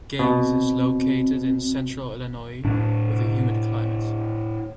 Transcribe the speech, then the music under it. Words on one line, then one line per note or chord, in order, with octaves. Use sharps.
Gays is located in Central Illinois, with a humid climate.
B2 C4
A2 D4